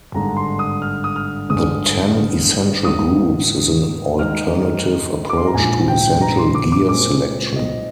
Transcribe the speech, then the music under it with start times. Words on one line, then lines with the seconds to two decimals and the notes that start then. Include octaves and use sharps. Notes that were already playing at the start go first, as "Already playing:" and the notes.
The "Ten Essential Groups" is an alternative approach to essential gear selection.
0.14 G#1 G2 D3 G#3 D4 A#5
0.37 C6
0.59 D#6
0.82 F6
1.04 D#6
1.16 F6
1.49 G#1 G2 D3 G#3 D#6
2.84 G#1 G#2 D#3 A#3 D#6
4.19 G#2 D#3 G#3 D#4 F6
5.30 D6
5.37 C6
5.46 A#5
5.54 A#1 G#2 F3 G#5
5.88 G5
6.21 A#5
6.38 C6
6.55 D6
6.72 D6
6.89 A#2 G#3 C4 D6
7.56 D#5